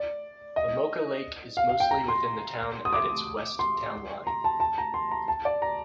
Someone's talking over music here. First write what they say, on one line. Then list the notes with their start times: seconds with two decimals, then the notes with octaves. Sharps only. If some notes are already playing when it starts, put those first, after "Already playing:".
Lamoka Lake is mostly within the town at its west town line.
Already playing: D5
0.56 D#5
1.57 F5
1.69 F5
1.80 G5
1.91 A#5
2.08 C6
2.85 D#6
2.93 D6
3.59 C6
4.27 A#5
4.44 A5
4.60 A5
4.78 A#5
4.94 C6
5.11 A#5
5.28 A5
5.45 D5
5.62 A#5